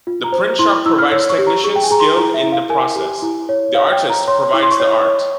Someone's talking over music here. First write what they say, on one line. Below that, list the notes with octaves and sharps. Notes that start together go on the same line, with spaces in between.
The print shop provides technicians skilled in the process; the artist provides the art.
F4
A#5
C5
E4 C6
C#6
E4 E6
F6
C#5 E6
C#6
G4
A#5
G#4 C#6
G5
G#5
G#4 A#5
C6
E4 A#5
E5
E4
F5
A#4 G#5
G4
E4
C#5
C#5 F5
G5
C#5
A#5
C#5 C6
E4 C#6
C6
C#6
C#5
C#5